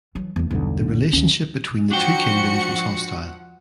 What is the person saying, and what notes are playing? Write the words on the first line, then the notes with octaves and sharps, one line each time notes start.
The relationship between the two kingdoms was hostile.
E3 F#3
E2 A3
B1 E2 G2 D3
F#2 A#2 D3
D2 D#3 C#4
F3 D4 F#4 F#5 G5 C#7